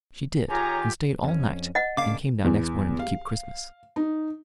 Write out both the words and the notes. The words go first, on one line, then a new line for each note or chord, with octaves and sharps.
She did, and stayed all night, and came down next morning to keep Christmas.
D#3 F4 G4 G#4 C#5 G#5 A#5
F2 C#4
D#5 F#5
C#3 A#3 D4 F5 D6
E2
F5
D#4